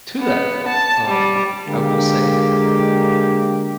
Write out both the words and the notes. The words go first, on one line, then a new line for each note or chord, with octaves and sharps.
to that though, um, I will say,
B3
A5
G3
D3 G#3 A#3 G4